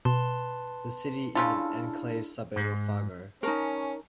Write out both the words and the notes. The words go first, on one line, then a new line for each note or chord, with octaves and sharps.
The city is an enclave suburb of Fargo.
B2 B4 A5 C6
C#3 D4 E4 F4 A4
G#2
C#4 D#4 A#4 G#5 A5 C#6